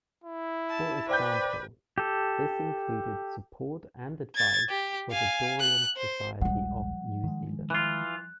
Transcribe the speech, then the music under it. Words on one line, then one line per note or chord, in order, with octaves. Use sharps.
For example, this included support and advice for the Dorian Society of New Zealand.
E4
A5
B4 C5 D5 G5 G6
G4 A4
G#6 A6
G4
F5 G#5
F#6
C5
D#1 A#1 F3 G3 G#3 F#5
D#3 G#3
E3 F4 F#6